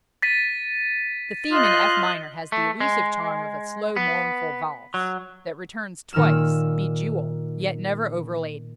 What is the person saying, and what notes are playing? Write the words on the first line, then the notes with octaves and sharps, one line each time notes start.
The theme in F minor has the elusive charm of a slow, mournful valse, that returns twice, bejewelled, yet never overladen.
A6 B6 D#7
F4 D#5 F#6 G6
A3
G#3
B3
F#3
A#2 D#3 E6 F6 E7